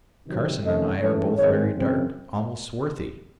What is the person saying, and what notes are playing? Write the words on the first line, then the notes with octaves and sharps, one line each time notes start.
Carson and I are both very dark, almost swarthy.
C3 D#3 F#3 C4
C3 D#3 A3 C#4 D#5
G#2 E3 A3 C#4 C#5
G#2 D#3 G#3 C4 C#5
F#2 C#3 E3 C4